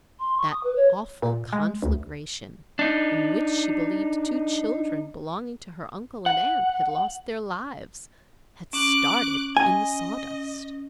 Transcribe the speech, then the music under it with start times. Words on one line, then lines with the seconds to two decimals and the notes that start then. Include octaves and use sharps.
That awful conflagration, in which she believed two children belonging to her uncle and aunt had lost their lives, had started in the sawdust.
0.20 C6
0.38 C#6
0.50 D#6
0.63 B4
0.76 C#5
1.22 A#2
1.53 G#3
1.82 D2
2.79 D4 D#4
6.26 F#5
8.73 C#4 D6 F#6
9.57 D#5 G#5